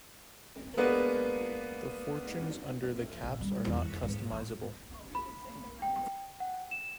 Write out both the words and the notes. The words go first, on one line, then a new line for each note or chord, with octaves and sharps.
The fortunes under the caps are not customizable.
G#3 A#3 B3 D4 B4
A#1
G3
E2
F2
G#2
A1
B5
G5
F#5
E7